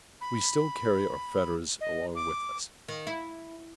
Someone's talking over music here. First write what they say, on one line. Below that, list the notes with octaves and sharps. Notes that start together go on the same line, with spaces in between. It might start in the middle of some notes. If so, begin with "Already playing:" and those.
We still carry our fetters along with us.
B5
D#5
D6
D#3
E4